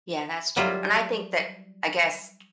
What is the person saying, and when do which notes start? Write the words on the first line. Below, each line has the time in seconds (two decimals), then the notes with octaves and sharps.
Yeah, that's true. And I think that, I guess,
0.56 F#3 G3 E4 F4